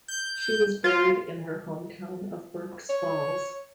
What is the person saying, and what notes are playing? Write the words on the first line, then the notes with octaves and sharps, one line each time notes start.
She was buried in her hometown of Burk's Falls.
G6
F4
C#5